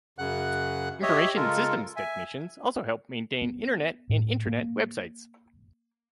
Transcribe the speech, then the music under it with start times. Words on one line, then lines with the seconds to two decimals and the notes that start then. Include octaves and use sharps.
Information systems technicians also help maintain Internet and Intranet websites.
0.18 F#2 C#3 F#5 F#6
1.02 G4 C#5 D#5 E5
1.36 C#3 G#3 F4 A4 A#4
1.96 E5 G#5
3.42 B3
4.10 A2
4.46 A#3